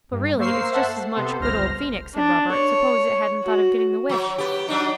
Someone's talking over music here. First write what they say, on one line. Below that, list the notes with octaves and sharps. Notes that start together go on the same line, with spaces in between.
'But, really, it's just as much good old Phoenix,' said Robert. 'Suppose it hadn't thought of getting the wish!'
G2
A#3 C5 F5 C#6 E6 C7
C5 E5 F#5 A5
A4
C3 B3 A4 C5
G1 C#2 C5 F6 A#6
D4
C#5
F#4
F#3 C#5
B3 G4
F#3 D4 D#4